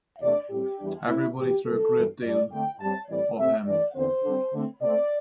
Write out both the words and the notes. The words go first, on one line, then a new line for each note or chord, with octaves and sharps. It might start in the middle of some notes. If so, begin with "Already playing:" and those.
Everybody though a great deal of him.
E2 C3 A3 D4 D5
A2 G3 C4 G4
E2 E3 G3 D4
C3 A3 C4 E4
A2 E3 C4 G4
C3 E3 G3 A4
G2 E3 G3
G2 G3 D4 D5
D3 A3 C4 G5
G2 G3 C4 A5
A2 E3 G3 C4 D5
C3 A3 C4 E5
G2 E3 A3 D5
E2 D3 C4 C5
D3 G3 C4
D3 A3 C4
C3 A3 C4 D5